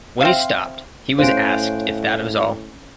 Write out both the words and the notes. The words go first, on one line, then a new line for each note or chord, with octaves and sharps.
When he stopped, he was asked if that was all.
C4 C5 E5 F5
A2 C#4 C5 F5 F#6 D7